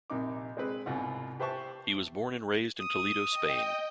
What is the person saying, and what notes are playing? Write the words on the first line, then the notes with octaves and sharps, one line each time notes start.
He was born and raised in Toledo, Spain.
A#1 C3 D#4 D6
G#3 C4 B4
C2 G#2 B2 F4 F#5
G4 B4 C5 E5 A5 C#6
D#6
D#5 G5